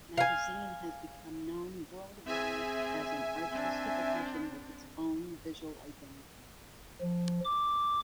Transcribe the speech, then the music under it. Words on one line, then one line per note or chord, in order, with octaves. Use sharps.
Magazine has become known worldwide as an artistic edition with its own visual identity.
F5 G#5
C4 G#4 E5 G#5
C4 D4
F3
D6